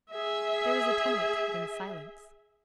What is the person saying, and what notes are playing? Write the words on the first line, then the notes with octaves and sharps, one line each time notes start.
There was a tumult, then silence.
G#4 E5